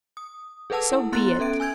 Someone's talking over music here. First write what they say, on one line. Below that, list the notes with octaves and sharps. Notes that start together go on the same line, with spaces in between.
So be it!
D#6
G#4 A4 B4 F#5 A5 E6
E4
B3 C6 F#6 A6
C#4 A4 E5 D7
G#5 E6 G6 G#6